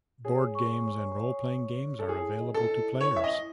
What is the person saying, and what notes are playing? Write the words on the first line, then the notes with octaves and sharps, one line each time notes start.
Board games and roleplaying games are available to players.
G#4 C#5
C#6
C#5
C#5
C#5
C#5
A4
E4 G#4
D#5
A4
E4
E4 C#5
E5
D#5
E4